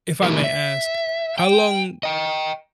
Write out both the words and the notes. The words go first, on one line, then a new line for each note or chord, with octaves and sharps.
if I may ask, how long
E3 A3 D#4 E4 G4 A#4
E5
G5
D#5 G5